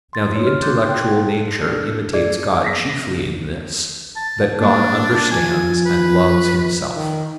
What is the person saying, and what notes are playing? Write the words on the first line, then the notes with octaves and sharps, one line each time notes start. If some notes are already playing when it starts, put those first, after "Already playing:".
Now the intellectual nature imitates God chiefly in this, that God understands and loves Himself.
C6 A6
D#4 C#5
C6 F6
C6 D6 F#6 G6 A6
G5 C6 F#6
A4
D4 A4
G#4 D5
A#6 B6
A5
A#3 D4
F3 G#5
B4
D#3